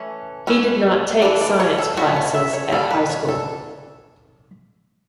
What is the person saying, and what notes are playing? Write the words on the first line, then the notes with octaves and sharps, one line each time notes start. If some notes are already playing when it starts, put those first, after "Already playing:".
He did not take science classes at high school.
Already playing: E3 A3 C#4
E3 A3 C#4
E3 A3 D4 D5
D5
C#5
A4
E3 A3 D4 F#4
C#5
E5
C#5
G3 D4 A4
B4
C#5
A4